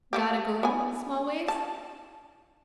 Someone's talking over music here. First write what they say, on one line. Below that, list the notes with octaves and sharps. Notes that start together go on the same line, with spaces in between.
"Got a girl, Smallways?"
A3 A#3 G4
B3 G#5
A5